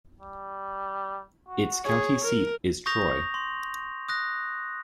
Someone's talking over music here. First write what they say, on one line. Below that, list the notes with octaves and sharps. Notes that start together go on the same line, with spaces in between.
Its county seat is Troy.
G3
F#4
G#4 C#5
A#4
C#6 D#6 G6 A#6 F7
C6
D#6 F#6 A#6